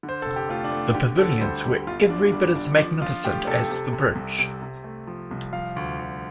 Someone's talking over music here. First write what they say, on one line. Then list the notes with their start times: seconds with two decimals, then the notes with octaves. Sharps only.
The pavilions were every bit as magnificent as the bridge.
0.03 D3
0.09 C5
0.22 F1 A4
0.36 G4
0.49 A3 F4
0.64 D4
0.72 A3
0.94 D3 G4
1.18 D2 A4
1.40 G3 C5
1.64 G3 G4
1.87 G1 F4
2.09 D3 D4
2.32 G3 D4
2.55 D3 D4
2.78 F3 D4
3.02 F3 F4
3.24 A3 G4
3.47 C3 A4
3.70 C3
3.93 C3
4.15 C2
4.39 C3
4.62 C3
4.84 A3
5.07 F3
5.31 C2
5.53 F3 F5
5.76 D2
5.99 D2